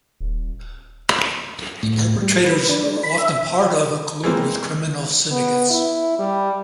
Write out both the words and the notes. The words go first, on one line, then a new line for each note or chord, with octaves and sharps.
The perpetrators are often part of or collude with criminal syndicates.
D#1
A2
G3
B4
D4
B5
E5
E3 G3 G#3 A#3 C4
B3
E4
G3